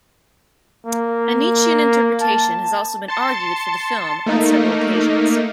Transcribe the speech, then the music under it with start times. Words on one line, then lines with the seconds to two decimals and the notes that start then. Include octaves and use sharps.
A Nietzschean interpretation has also been argued for the film on several occasions.
0.86 A#3
2.21 A5
3.08 A5 C6 A6 C#7
4.26 A3 A#3 D#4